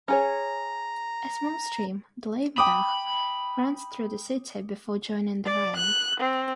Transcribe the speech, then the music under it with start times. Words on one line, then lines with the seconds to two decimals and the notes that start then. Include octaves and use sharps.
A small stream, the Leimbach, runs through the city before joining the Rhine.
0.08 C#4 G#4 C#5 A#5
2.58 G5 B5 D6 D#6
5.45 D5
5.76 F#6
6.20 C4